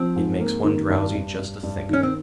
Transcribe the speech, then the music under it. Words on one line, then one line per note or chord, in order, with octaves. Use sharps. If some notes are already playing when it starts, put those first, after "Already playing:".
It makes one drowsy just to think of it!
Already playing: F3 C4
G#2
A#3
D#3
G2
G2
G2
G2
D#3 C#4
C4